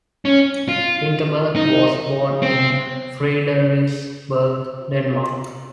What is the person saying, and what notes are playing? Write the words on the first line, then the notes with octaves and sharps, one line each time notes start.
Vinterberg was born in Frederiksberg, Denmark.
C#4
F4
D#4
C4